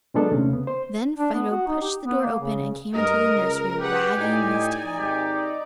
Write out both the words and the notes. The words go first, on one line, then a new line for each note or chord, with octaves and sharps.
Then Fido pushed the door open and came into the nursery wagging his tail.
A#2 F#3 G#3 B3 D4 A4
D#2 C3 A3 C#4
C#3 B3
C5
D4
B3
F#4
D#4
G4
B3
A#3
C#3
G2 A#4 D#5
C#2
G4 G#4 B4 F#5
A2 D#4 D5 G#5
G#1 G4